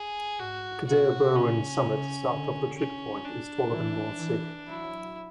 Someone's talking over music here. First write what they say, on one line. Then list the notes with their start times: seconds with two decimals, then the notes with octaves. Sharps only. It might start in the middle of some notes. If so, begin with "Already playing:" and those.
Cadair Berwyn's summit, south of the trig point, is taller than Moel Sych.
Already playing: G#4
0.39 G#2 F#4
0.87 B2 F#4
1.35 C#3 C#4
1.82 C#3
2.30 D3
2.78 C#4
3.24 D4
3.72 E3
4.19 E3
4.67 F#3 E4